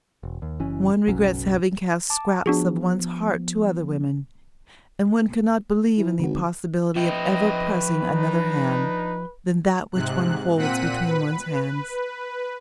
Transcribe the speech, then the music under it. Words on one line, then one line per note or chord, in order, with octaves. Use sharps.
One regrets having cast scraps of one's heart to other women, and one can not believe in the possibility of ever pressing another hand than that which one holds between one's hands.
E1
D#2
F#1 E3 C#4
F#1 B1 F#3 C#4
A5 D6
F3 B3 D4 F#4 G#4
E3
G#1 D3 F#4
F3 C4 B4 D#5 E5 G5
D4 D#4
G#2 C3 F#6
A#2 C4 F#5 F#6 B6 D#7
B4